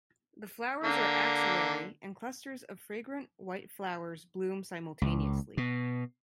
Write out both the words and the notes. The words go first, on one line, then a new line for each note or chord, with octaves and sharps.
The flowers are axillary, and clusters of fragrant white flowers bloom simultaneously.
D3 A#3
C#2
B2